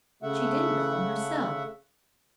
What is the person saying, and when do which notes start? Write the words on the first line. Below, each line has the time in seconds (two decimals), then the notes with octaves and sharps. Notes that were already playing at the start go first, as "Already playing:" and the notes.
She didn't know 'em herself.
0.23 C#3 A3 E5 F#5